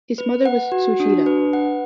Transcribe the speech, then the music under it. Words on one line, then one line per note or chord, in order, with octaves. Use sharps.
His mother was Sushila.
B4
F#5
F#4
D4
B4
F#5